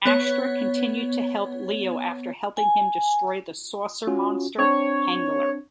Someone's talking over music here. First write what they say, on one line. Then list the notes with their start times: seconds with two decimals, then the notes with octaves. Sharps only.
Astra continued to help Leo after helping him destroy the Saucer Monster, Hangler.
0.05 B3 C#5
2.57 G#5
4.07 C#4 F4 F#4
4.58 C4 D4 C#5